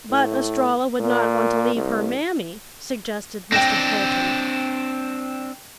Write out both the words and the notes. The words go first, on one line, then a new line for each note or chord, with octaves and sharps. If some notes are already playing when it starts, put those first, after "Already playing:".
"But Estralla would not want to leave her mammy," suggested Mr. Fulton.
A2
A#2
C2
C4 D4 G5 A#6